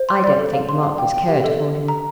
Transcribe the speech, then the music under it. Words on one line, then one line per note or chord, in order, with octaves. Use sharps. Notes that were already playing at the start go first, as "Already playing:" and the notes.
"I don't think the Marquis cared for him."
Already playing: C5
C6
D5
A4
F5
C6
F5
G5
G5
G4
A4
A4
A4
A#5